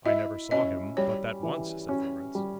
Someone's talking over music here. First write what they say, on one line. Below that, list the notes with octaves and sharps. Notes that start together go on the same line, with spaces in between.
"I never saw him but that once," said Florence.
E4 D#5
C#4 D#5
G3 C#5
E3
C#4
G3